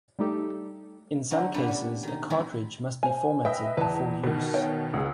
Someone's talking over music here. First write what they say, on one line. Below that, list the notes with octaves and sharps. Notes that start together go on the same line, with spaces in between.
In some cases a cartridge must be formatted before use.
G3 A3 D#4 G4 A4
D3 A3 D#4 F#4
A#2 D3 G3 B3 D4 G4
C#4 D4
D#3 D#4
D#3 E3 G#3 C4 E4 G#4
C5 G#5
B4 D#5 E5 G5
E2 B4 A5
B2 D#3
B4 C#5 G5
C#2 G#4